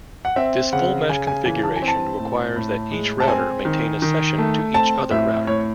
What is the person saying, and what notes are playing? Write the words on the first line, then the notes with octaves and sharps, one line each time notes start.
This full-mesh configuration requires that each router maintain a session to every other router.
F#5
C4 E5
C#3 F#5
C#3 G#5
G#5
E3 G#5
A5
G#5
C4
A5
A2
A2
G#3
A5
C4 G#5
D#3
D#3
A3
C4 A5
A2 E5
A2 C#5